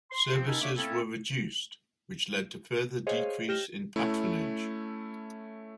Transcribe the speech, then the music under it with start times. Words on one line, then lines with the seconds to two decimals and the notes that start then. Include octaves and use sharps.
Services were reduced, which led to further decrease in patronage.
0.11 C6
0.34 F3 C4
0.47 D#3 C#4 D#4 E4 A4
0.61 D3 A#3 D4 C#5 E5 D6
0.77 A3 A#3 C4 C#4 E4 A4
3.07 G#4 C5 C#5 D#5 F5
3.49 G4 F6 A#6 E7 G7
3.96 A3 C#4 E4